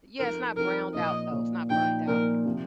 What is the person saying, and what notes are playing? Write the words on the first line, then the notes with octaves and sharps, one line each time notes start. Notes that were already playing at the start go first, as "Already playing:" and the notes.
Yeah, it's not browned out though, it's not burnt out.
F2 F3 C4 D#4 A#4
F2 F3 C4 D#4 A#4
A#2 F3 A#3 D#5
A#2 F3 A#3
A#2 F3 D#4 G5
A#2 F3 D#4 A#4
C3 F3 A#3